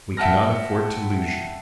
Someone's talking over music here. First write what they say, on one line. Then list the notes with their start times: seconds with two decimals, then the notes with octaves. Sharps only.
We cannot afford to lose you.
0.17 E5 F#5 G5 A5 F6 A#6